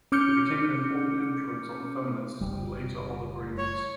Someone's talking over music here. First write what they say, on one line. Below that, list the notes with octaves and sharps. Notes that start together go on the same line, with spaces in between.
He became an important influence on the feminists and later on the Greens.
C#4 D6 F6 G6 C#7
F#1 C2 G3
C#5